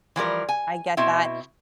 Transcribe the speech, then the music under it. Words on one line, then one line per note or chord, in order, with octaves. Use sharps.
I get that.
E3 F3 G3 A#4
G#5
B2 C4 E4